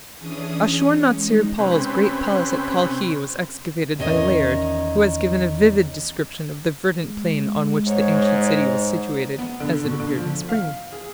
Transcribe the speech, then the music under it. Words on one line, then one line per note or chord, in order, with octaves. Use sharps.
Ashur-natsir-pal's great palace at Kalkhi was excavated by Layard, who has given a vivid description of the verdant plain on which the ancient city was situated, as it appeared in spring.
E3 C#4 D4 G#4 D#6
C#4
G#3 D#4
C3 C4 C#4 B4
E2 D#3 C#4 D#5 G#5
G#3
G#2 C#5
B3
D3
B2
D3
F3
F5
G#4